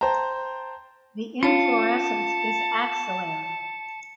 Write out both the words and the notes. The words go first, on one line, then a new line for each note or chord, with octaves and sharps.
The inflorescence is axillary.
C5 G5 A5 A#5
C#4 F4 C#5 A5 C#7